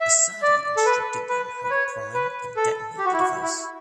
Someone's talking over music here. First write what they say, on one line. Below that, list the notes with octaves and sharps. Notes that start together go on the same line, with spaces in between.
Assadi instructed them how to prime and detonate the device.
E5
D5
A4
B4
B4
B4
C#5
B4
A4
G4
F#4
E4
F#4
E4